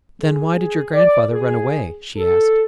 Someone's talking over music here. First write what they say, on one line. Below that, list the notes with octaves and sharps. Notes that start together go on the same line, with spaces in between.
"Then why did your grandfather run away?" she asked.
G#4
D5
G#4
A4